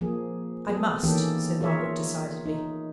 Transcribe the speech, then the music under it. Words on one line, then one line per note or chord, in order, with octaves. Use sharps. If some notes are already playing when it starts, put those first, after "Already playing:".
'I must,' said Margaret, decidedly.
F3 A#3 G#4
B3 G#4 A4
D#3 E3 A#3 C#4 G4 A4
F4 G#4 A#4 C#5 E5
D#4